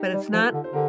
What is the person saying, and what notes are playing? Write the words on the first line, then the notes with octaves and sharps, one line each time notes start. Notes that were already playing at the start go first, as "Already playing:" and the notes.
but it's not
Already playing: D#4 G4
G3
F3 F4 A4
D3
C5
D3 G4 A#4